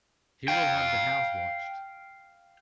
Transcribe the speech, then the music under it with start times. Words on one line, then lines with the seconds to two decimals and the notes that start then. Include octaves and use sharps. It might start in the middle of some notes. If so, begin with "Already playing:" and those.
He will have the house watched.
0.48 F5 G5